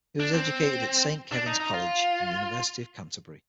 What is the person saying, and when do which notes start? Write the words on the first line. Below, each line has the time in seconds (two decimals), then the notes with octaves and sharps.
He was educated at Saint Kevin's College and University of Canterbury.
0.20 D4
0.34 C4
1.32 D4
1.46 D#4
1.60 D#4
1.74 F4